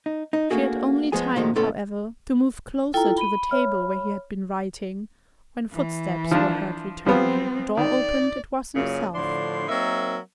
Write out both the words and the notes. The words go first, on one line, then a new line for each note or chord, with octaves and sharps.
She had only time, however, to move closer to the table where he had been writing, when footsteps were heard returning; the door opened, it was himself.
D#4
D#4
A3 A#3 D4 F#4 G#4
F3 G#3 B3 G#4 G#5
A#2 D#3 F3 G#3 A3 F#4
C#2 A2 B3 C#4 A4 C6
E4 F4 A4 G5 A#5
B5 D#7 G7
C#5 E5 F6
E3
F3 D4
F3 G3 B3 C4
D#3 D5
F#2 A#2 C#3
A2 D3 F3 D4 C6
F#3 A#3 C4 D#4 A#4 E5